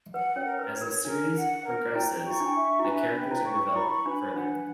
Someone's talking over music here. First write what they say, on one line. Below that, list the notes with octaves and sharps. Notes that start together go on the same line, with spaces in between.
As the series progresses, the characters are developed further.
B4 F#5
C#4 C#5
A#4
B4
C#5
A#4
D4 A#4
F#5
A#4
E4 G5
C#6
E4
D4
E5
E4
D4 B4
G5
E4
C#6
E4 B5
D4 B4
D4 F#5